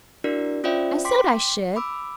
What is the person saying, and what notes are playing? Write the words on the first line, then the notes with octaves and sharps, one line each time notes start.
I said I should.
D4 E4 F#4 A#4 D5
C#4 F4 C5 D5 E5 G5
G5 C6 D6 B6
B5 D6 E6